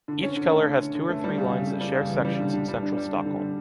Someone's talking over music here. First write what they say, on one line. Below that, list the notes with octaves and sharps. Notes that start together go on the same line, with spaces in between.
Each color has two or three lines that share sections in central Stockholm.
D3
C#4
D3
A3
D3
D3
D3
A3
G3
C#3
C#3
C#3
G3
C#3
E3
G3
D3
D4
G3
D4
G3
D3
D3
D3